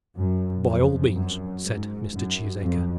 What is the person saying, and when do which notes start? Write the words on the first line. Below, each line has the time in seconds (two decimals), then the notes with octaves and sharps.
"By all means," said Mr. Cheesacre.
0.17 F#2
0.65 F2
1.14 F#2
1.62 G#2
2.12 F#2
2.60 F2